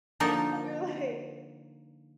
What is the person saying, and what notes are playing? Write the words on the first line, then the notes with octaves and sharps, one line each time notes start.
you're like
D3 F3 A#3 D#4 A#4 A5